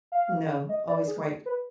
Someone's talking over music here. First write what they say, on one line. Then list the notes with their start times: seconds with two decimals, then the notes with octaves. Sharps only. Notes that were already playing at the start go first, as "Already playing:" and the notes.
No, always white.
0.12 F5
0.69 D#5
0.88 D5
1.07 G#4
1.46 B4